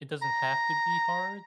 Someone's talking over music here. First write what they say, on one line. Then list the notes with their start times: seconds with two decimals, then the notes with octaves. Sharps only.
It doesn't have to be hard
0.22 A#5